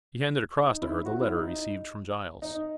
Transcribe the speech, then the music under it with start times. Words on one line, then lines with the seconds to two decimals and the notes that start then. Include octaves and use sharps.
He handed across to her the letter received from Giles.
0.59 D#4
0.82 E4
1.06 F#4
1.21 E4
1.36 D#4
2.42 D#4